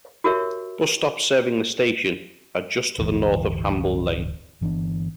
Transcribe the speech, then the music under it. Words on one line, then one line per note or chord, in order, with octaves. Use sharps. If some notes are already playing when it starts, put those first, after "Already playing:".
Bus stops serving the station are just to the north on Hamble Lane.
F#4 G4 A#4 C#5 E5
D1 G1 E3
G1 E3 B3 D4